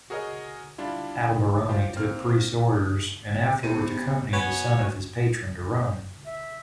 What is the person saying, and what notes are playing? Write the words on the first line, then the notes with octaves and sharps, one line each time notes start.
Alberoni took priest's orders, and afterwards accompanied the son of his patron to Rome.
F#4 G#4 A#4 C#5 D#5
G3 D4 E4 F4
F4 G4 C5
A#3 C4 F6
C3 B3
B3 F#4 C#5 G#5
E5